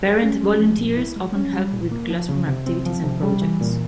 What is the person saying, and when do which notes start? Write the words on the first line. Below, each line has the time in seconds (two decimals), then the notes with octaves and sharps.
Parent volunteers often help with classroom activities and projects.
0.23 C#4
0.41 G#3
0.60 F3
0.78 A#2
0.97 E4
1.16 G#3
1.35 C#4
1.53 G3
1.73 A#2
1.92 A#3
2.10 F3
2.29 C#3
2.47 C3
2.67 C4
2.86 F3
3.04 C3
3.23 G3
3.42 E3
3.61 A#2